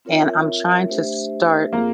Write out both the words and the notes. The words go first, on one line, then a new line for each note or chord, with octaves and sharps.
and I'm trying to start
C4 F4 A#4 C#5 E5
A3 D4 G4 C5 E5
A#3 C4 F4 G#4